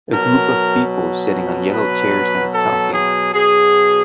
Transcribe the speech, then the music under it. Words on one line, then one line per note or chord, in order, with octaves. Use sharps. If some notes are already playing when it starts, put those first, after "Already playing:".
A group of people sitting on yellow chairs and talking.
B2 F#3 A#4
B4
A4
G#4
B2 F#3 G#4